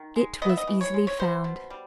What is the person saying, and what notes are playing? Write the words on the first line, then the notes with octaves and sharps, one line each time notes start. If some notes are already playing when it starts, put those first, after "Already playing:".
It was easily found.
Already playing: D#3
G#3
B3 D#5
E5
D#5
E3
C#5
G#3
C#5
B3 C5
B2
G3